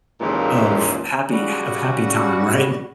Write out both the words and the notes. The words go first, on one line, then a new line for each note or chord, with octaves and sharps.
of happy ha of happy time. Right?
D#2 A#2 C#3 E3 F3 G#3
C#3 G3 F#4